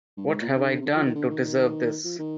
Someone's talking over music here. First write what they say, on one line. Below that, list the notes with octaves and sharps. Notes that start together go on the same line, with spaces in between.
What Have I Done to Deserve This?
G2
G#2
A#2
C3
D3
C3
D3
F3
D#3
D3
D#3
F3
D#3